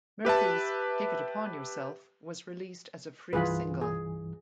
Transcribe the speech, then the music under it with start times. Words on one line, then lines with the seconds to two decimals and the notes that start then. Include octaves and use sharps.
Murphy's "Take It Upon Yourself" was released as a free single.
0.25 G4 B4 E5 A5
3.33 C2 G2 E3 F4 G#4 B4
3.81 G#4